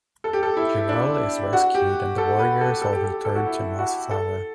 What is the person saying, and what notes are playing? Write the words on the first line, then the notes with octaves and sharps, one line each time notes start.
Durral is rescued and the warriors all return to Mossflower.
A4
G4
A4
E4
D4
F#4
G4
A4
B4
A4
A4
G4
A4
A4
F#4
E4
F#4
A4